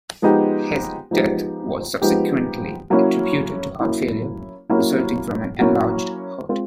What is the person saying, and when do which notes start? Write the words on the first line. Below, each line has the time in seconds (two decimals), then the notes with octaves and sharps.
His death was subsequently attributed to heart failure resulting from an enlarged heart.
0.22 F3 G#3 B3 D#4 G4
1.11 F3 G#3 B3 D#4 G4
2.02 F3 G#3 B3 D#4 G4
2.90 F#3 A#3 C#4 E4
3.80 F#3 A#3 C#4 E4
4.70 F#3 A#3 C#4 E4
5.59 F#3 A#3 C#4 E4
6.49 G#3 C4 F4